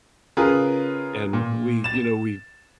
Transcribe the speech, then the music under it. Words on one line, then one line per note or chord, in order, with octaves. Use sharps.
and we, you know, we
C#3 F4 G#4 A#4 B4
A#2
A6 E7